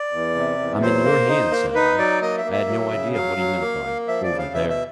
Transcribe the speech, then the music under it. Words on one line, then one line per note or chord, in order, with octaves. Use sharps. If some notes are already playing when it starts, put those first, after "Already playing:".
"I'm in your hands," said I. I had no idea of what he meant by "over there."
Already playing: D5
E2
C3
E2
F#3 C5
A#3
D#4
A#3
D#4 B4
F#3 D5
A#3 D#5
E5
A#3
E5
F#3
C#3
F#3 F5
F#3
A#3
A#3
F3 E5
D5
C#3
F5
B2 E5
E5